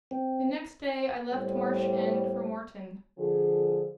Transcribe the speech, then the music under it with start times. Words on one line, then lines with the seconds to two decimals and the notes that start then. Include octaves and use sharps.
The next day I left Marsh End for Morton.
0.11 C4
1.31 A2 G3 B3 C5
3.19 D3 F3 G#4